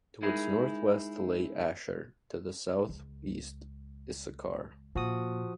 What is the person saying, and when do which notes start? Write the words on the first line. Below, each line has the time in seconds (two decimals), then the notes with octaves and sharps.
To its northwest lay Asher, to the southeast Issachar.
0.22 G#3 D#4 E4 G#4 A#4
2.89 C#2
4.95 A#2 F3 F#4 D#6